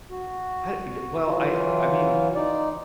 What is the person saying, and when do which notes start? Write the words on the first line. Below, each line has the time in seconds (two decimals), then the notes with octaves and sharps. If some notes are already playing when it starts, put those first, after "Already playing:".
I y well, I I mean,
0.10 F#4
1.26 E3 F#3 F4
2.35 D#4 D5